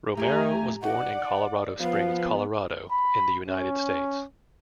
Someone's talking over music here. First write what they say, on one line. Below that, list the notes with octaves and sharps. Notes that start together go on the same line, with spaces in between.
Romero was born in Colorado Springs, Colorado in the United States.
F2 A3 G4 G#5 A#5
D#4 F#4 D5 F#5
F3 B3 F5
B5
C#4